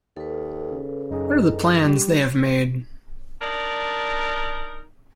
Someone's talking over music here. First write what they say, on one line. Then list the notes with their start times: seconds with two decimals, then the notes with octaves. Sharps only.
What are the plans they have made?
0.17 D#2 A4 B4
0.71 C#3
1.11 F#2 D#4 G#4
1.51 G1
1.83 G3 G4
3.41 D4 D#4 A#4 D5